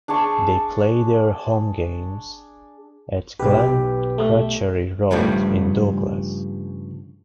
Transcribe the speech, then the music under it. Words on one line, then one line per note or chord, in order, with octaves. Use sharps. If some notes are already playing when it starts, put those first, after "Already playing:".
They play their home games at Glencrutchery Road in Douglas.
D4 G#4 A5 C#6
B1 G4 B4
A3
G2 C#3 F3 G3 A3